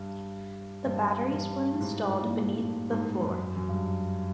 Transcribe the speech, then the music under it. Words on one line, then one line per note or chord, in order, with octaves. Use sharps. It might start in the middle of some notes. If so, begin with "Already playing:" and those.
The batteries were installed beneath the floor.
Already playing: G2
G2
G2
A2
G#2
A#2
A2
A2
G#2
F#2
F#2
G2